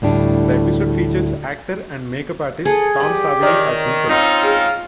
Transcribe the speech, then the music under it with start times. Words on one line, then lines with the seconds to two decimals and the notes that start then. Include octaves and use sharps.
The episode features actor and makeup artist Tom Savini as himself.
0.02 D2 A2 G3 D4
2.65 G#4 A4 B4
3.00 G3 B3 G4
3.43 D#3 C#5 D5
4.09 C4 C#4 D#4 F4
4.43 G#3